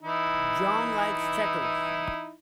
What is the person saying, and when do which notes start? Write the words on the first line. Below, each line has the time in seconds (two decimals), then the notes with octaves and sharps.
John likes checkers.
0.03 E3 D#4 E4